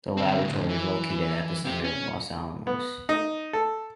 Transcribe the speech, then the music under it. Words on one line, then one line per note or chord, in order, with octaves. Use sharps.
The laboratory is located at the center of Los Alamos.
D3 C4
A2 D3
E3
C4 G4
C#4
B3
D#4
A4